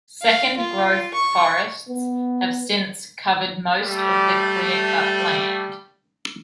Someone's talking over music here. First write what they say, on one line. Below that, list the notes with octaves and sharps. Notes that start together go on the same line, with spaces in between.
Second growth forests have since covered most of the clear-cut land.
F5
F4
C#6
B3
G3 A3